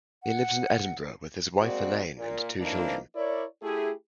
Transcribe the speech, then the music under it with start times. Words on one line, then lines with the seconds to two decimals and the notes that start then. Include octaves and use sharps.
He lives in Edinburgh with his wife, Elaine, and two children.
0.23 F#5
1.59 G#3 A#3 C4 F#4 D5
2.17 A#2
2.59 E3 F3 A#3 C4 D4 D#4
3.15 E4 A#4 C#5 D5
3.62 A3 E4 G4 G#4